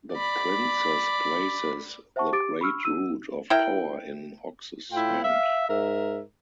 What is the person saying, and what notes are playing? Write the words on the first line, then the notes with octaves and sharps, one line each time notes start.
The Princess places the Great Root of Power in Ox's hand.
D5 B5
C5 E5 F#5 A5 C#6
G4 D6 A6 D7
B5 C#6 E6 F6
E6 D#7
E4 A#4 G5
A2 E4 F4 G5
E5 F5
G#2 A#4 E5